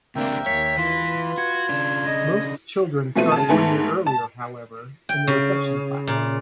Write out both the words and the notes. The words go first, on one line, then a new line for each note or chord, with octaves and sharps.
Most children start one year earlier however, in the Reception class.
C#2 C3 A#3 D4 A#4 E5 G5
D#2 C#5 B6
E3 F4 B4
F#4 G#6
C#3 D4
D#5
B2 F3 A3 B3 C4 D#7
C#3 A5
G#2 A3 B3 A4 G#5
A5
G5
C#3
A#2